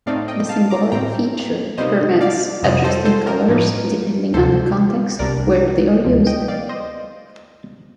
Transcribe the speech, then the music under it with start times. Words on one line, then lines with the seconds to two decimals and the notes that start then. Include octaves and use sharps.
The "symbolic" feature permits adjusting colors depending on the context where they are used.
0.06 A2 A3 C4 D#4 D5 F5
0.28 D#5 G5
0.49 F5 A5
0.70 A#5 D6
0.92 A2 G3 C4 G5 A#5
1.78 C3 G3 A#3 D#4 C5 D#5
2.21 D5 F5
2.63 F2 C3 G3 C5 D#5
2.84 A4 C5
3.05 A4 C5
3.27 A#4
3.48 A2 F3 A#3 D#4
4.34 D2 C3 F3 A4 C5
5.19 C2 C3 G3 D4 A#4 D5
6.05 D2 C3 F3
6.27 D#5 G5
6.48 D5 F5
6.69 C5 D#5